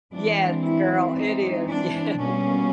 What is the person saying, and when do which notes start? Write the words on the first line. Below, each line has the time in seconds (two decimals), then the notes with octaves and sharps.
Yes, girl, it is, yes.
0.14 E3 G#3 C4 D4
0.65 E4
1.16 D#4
1.68 D4
2.19 B2 G3 A#3 C#4